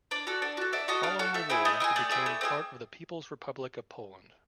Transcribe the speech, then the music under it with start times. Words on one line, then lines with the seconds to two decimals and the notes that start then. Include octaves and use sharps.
Following the war, it became part of the People's Republic of Poland.
0.11 D4 D5
0.27 F#4 A4
0.42 D4
0.57 F#4 A4
0.73 D4 E5
0.88 F#4 A4 D#5
1.03 D4 F5
1.19 F#4 A4
1.34 A3 E5
1.50 C4 E4 G#4
1.65 A3 D#5
1.80 C4 E4 G#4
1.96 A3 D5
2.11 C4 E4 G#4
2.26 A3
2.41 C4 E4 G#4